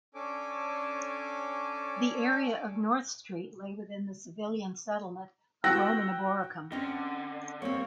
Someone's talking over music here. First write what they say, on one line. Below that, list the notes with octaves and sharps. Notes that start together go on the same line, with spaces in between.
The area of North Street lay within the civilian settlement of Roman Eboracum.
C#4 D4 A4 C#5 G#5 D6
F#4 F#5 G5 E6 F#6 A#6
D3 C4 C#4 D#5
G2 A#3 C4 C#5